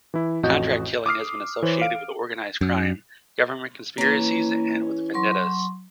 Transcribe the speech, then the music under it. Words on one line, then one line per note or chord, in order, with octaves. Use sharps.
Contract killing has been associated with organized crime, government conspiracies and with vendettas.
E3 E4
A1 F2 F#4 D#5 G6
D6 D#6 F6 C7
E3 C5 C#5
F5 D7
F#2
E3 A#3 C#4
F#3 C6 C#6